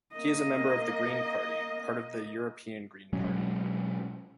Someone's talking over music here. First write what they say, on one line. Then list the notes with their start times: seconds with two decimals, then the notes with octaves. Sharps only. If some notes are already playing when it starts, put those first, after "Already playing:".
He is a member of the Green Party, part of the European Green Party.
0.13 A#3 D#5
3.13 B2 F#3 G#3 C#4